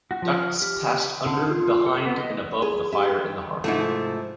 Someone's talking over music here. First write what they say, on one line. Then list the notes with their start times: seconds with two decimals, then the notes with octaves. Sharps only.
Ducts passed under, behind, and above the fire in the hearth.
0.11 F#4
0.22 F3
0.39 F6
0.62 G4
1.26 D3
1.47 F4
1.86 A4
2.05 B3
2.18 D#5
2.62 G#4
2.92 G4 E5
3.64 G#2 C3 F3 A3 E4